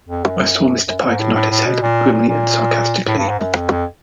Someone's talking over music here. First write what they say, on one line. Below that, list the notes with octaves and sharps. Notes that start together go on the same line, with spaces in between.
I saw Mr Pike nod his head grimly and sarcastically.
F2
F#2
F#2
G#2
A2
A2
A2
B2
A#2
A#2
A#2
A2
G2
G#2
F#2
F2
F2